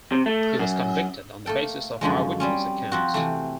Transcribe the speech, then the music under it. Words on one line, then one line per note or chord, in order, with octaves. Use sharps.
He was convicted on the basis of eyewitness accounts.
C3
A3
F#2
A3 A#3 A4 G5
F#2 D3 F3 G#3
G3 C4 C#4
F3 C4 F#4
C3 E3 A3